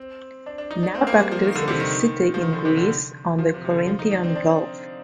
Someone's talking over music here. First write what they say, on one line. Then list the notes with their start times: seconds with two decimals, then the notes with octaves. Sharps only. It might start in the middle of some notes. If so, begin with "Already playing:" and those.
Naupactus is a city in Greece on the Corinthian Gulf.
Already playing: C4
0.46 D4
0.58 D4
0.71 D#4
0.83 D4
0.95 C4
1.07 A#3
1.19 G3
1.31 F3
1.43 D#3
1.55 D3
1.68 C3
1.80 D#3
2.34 F3
2.41 D#3
2.53 D3
2.65 C3
2.77 D3
3.38 F3
3.54 C3
3.65 C3
3.71 D3
3.87 F3
3.99 D#4
4.11 D4
4.23 C4
4.36 D4